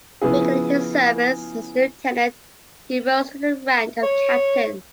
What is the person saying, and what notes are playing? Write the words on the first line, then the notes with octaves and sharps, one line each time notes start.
Beginning his service as a lieutenant, he rose to the rank of Captain.
C#3 F3 B3 E4 G#4
C#5